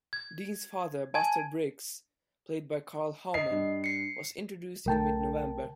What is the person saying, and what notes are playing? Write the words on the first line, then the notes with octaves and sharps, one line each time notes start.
Dean's father Buster Briggs, played by Karl Howman, was introduced in mid November.
G#6
G#5 A5 G#6
D#5 C7
G2
C7 C#7
B1 B2 A3 A#4 G5 A5